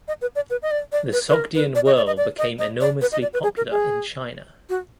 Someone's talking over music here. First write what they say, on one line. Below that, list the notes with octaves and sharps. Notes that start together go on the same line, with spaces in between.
The Sogdian Whirl became enormously popular in China.
D#5
B4
D5
B4
D#5
D5
D5
B4
B4
A#4
B4
D5
D#5
D5
D#5
D5
D#5
D#5
D5
B4
D#5
D5
B4
G#4
A#4
G#4
F#4